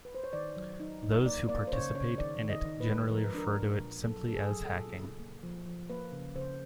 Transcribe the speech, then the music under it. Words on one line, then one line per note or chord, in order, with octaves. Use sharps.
Those who participate in it generally refer to it simply as "hacking".
B4
C5
C#5
D#3 D5
F#3
D#4
D#4
A#3 D5
A#3 D5
C5
C#3 C#5
C#3 C#5
D#3 D5
D#3
D#5
D#3
B4
G#3
F3 A#4
B4
D4 A#4
A#2
A#2
F#3 A4
A#2 A4
G#4
F#3
A4
A#2
C#3
A#3
F3
F3
A#3 B4
C#3
C#3 C5